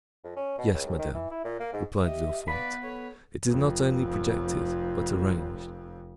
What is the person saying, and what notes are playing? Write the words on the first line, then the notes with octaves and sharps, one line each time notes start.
"Yes, madame," replied Villefort, "it is not only projected but arranged."
F2
C#4
B2
C#2
D#2
D#3
E3
E4
A#2
A#3
G#2
G4 D#5 E5
B3 B4 D5 F5 B5
A4 C#5
F1 F2